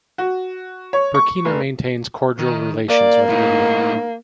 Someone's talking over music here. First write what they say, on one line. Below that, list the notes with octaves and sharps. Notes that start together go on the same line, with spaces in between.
Burkina maintains cordial relations with Libya.
F#4
C#5
C#6
F1
D#3
A#3 D5
A2 D#4